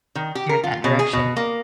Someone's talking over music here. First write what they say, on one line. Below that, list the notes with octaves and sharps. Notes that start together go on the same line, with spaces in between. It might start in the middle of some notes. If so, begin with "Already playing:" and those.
You're that direction.
D#3
G4
A#4
F4
B2
G#4
B2
A#3